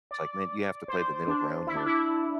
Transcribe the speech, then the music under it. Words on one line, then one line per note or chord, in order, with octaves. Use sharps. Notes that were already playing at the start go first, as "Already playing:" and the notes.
it's like, "Man, you have to play the middle ground here
D5
C5
D4
E4
D4
E4